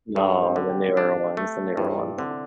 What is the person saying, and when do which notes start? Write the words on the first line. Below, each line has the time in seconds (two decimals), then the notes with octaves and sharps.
No, the newer ones, the newer ones.
0.15 G2 A4
0.42 C4 C5
0.56 D3
0.69 G4 G5
0.97 D4
1.37 A3
1.77 G2 E4 E5
1.97 D4 D5
2.18 D3 C4 C5